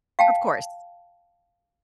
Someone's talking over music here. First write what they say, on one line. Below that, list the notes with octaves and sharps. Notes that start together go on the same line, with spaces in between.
Of course.
F5 G5 A5